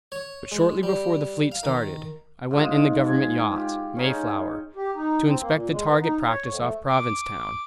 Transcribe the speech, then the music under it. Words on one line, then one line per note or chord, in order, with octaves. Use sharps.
But shortly before the fleet started, I went in the Government yacht Mayflower to inspect the target practice off Provincetown.
C#5
G#3
G3
F5
D#3
G#2 F4 D#5
G#5
F4 G4
C#4 D#4 G#4
G4
D#4
C4
A#3
A#2
G#3
B3
D#4
C#5
F2
A3
D6